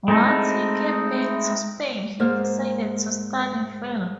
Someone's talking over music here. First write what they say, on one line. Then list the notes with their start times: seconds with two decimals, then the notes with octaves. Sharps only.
Once he came back to Spain he decided to study film.
0.08 G#3 A3 C4 D#4 E4
2.20 G#2 A#3 C5 F6